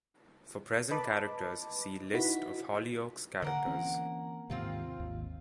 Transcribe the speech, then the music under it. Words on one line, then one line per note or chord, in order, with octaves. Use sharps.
For present characters see "List of Hollyoaks characters".
B4 D#5 A5 B5 D6
D#4 E4 F#4 B4 B6
D3 A#3 A#4 F#5
E3 C4 C#4
D#2 G#2 C3 C4 F4 F5
G#1 D#2